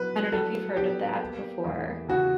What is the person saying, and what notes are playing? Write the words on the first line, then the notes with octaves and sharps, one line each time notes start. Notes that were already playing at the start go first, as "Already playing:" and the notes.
I dunno if you've heard of that before
Already playing: F#3 B3 B4
F#3 A4
B3 G4
A#3
E2
C#3 F#4